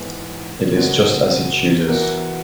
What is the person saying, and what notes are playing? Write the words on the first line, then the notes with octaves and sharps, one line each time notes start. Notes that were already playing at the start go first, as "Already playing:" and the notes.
It is just as he chooses.
Already playing: G#2 E3 G#3 B3
C#3 G#3 B3 F#4 A#4
E3 B3 F#4 A#4